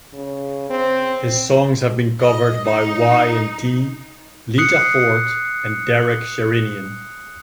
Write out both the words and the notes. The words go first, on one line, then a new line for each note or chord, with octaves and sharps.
His songs have been covered by Y and T, Lita Ford and Derek Sherinian.
C#3
C4
D#5
D#4
D#6 F#6 C7 C#7